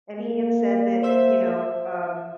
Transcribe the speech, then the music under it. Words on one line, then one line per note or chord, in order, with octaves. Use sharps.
and he had said that you know, um,
A#3
C5 E5